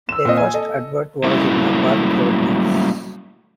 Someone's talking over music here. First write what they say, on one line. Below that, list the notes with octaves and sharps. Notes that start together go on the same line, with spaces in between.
Their first advert was in the "Bath Road News".
E6 E7
A#2 C4 D#5
G#5
A4 D#5
F#3 G3 A3 A#3 C#4 E4